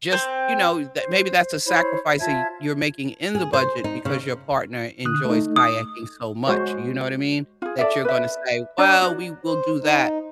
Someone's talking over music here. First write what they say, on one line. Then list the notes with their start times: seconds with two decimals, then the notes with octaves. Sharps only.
just, you know, tha maybe that's a sacrifice that you you're making in the budget because your partner enjoys kayaking so much, you know what I mean? That you're gonna say, "Well, we will do that
0.12 C4
1.00 C5
1.66 E4 C5 C#5 B5
2.19 F4 E5 A5 G#6
3.35 G#4
3.53 C5
3.84 D#4
4.05 C#3
5.05 D3 D#6 F#6
5.25 A3 D#4
5.56 D#6
6.47 G#3 F#4 C5 C#5
7.62 F4 G#4
7.79 A4 D5 E5
8.05 B4 E5
8.78 D4 C#5 D5 A#5
9.02 F#4
9.45 C5
9.83 D#4